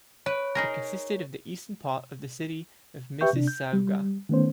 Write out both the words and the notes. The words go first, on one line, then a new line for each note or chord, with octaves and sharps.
It consisted of the eastern part of the City of Mississauga.
B4 C#5
D#4 G#4 A#4
G4 B4 E5 G5 C#6 G6
C3 D4
G6
G3
D#3 A3 B3 C#4 C5